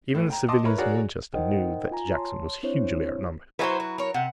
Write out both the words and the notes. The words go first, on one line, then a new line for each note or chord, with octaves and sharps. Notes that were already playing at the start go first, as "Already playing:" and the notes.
Even the civilians in Winchester knew that Jackson was hugely outnumbered.
A2
G5 A#5
D#5 A5 C6 D6 D#6
E4 A#4 B4 C#5
F#4 G#4 A#4 C#5 D5
D#4 A#4 C5 D#5 F#5 G5
F4 G#5 A#5
C#5 A5 C6
C4 D4 E4 C5 C#5
F#3 E4 F#4 G#4 B4 C5
F#4
A#4 C#5
C3 F#5